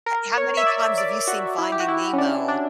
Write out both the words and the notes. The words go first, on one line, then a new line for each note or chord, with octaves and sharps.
He how many times have you seen Finding Nemo?
A#4
C#5
E5
D5
D5
F#4
E4
G4
F#4
E4
C#4
D4
D4